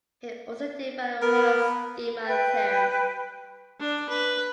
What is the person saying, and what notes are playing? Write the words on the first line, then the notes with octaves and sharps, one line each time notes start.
He also developed Holland's schema theorem.
B3 A#4
B4 G5
D4
B4